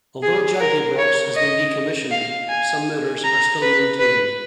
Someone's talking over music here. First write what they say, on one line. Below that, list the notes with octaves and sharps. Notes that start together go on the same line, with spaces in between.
Although Jagubox has been decommissioned, some mirrors are still maintained.
G#4
A#4
C#5
D#5
F5
G#5
A#5
B4
B4